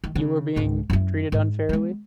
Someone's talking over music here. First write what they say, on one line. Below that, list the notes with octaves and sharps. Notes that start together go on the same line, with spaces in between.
you were being treated unfairly?
D#3
C#3
C#2 G#2
F#2 E4
G#2
G#3 B3